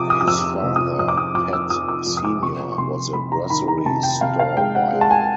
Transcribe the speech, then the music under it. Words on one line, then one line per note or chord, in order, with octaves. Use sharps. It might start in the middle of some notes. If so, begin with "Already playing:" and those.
His father, Pat Senior was a grocery store buyer.
Already playing: C3 F3 D6 D#6
D#6
D#6
F2 E6
C3
D#6
F2 D#6
D6
D#6
F2 D6
E6
F3 D#6
D6
F2
D#6
D6
C3 C#6
C#6
C3 C6
C3 B5
A#5
D#3 B5
A#5
C3 A5
G5
C3 F5
F5
G#3 G5
F#5
G#3
A5
G#5